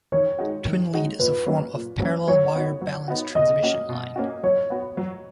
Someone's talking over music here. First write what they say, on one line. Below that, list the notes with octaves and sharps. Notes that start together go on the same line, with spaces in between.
Twin lead is a form of parallel-wire balanced transmission line.
D#3 C#5
G#3 D#4 F#4
D#3
G#3 D#4 F#4
A#2 B4
F#3 A#3 C#4
A#2
F#3 A#3 C#4
F#3 C#5
B3 D#4 F#4
F#3
B3 D#4 F#4
B2 D#5
A#3 C#4 F#4
B2
A#3 C#4 F#4
F#3 C#5
B3 F#4
F#3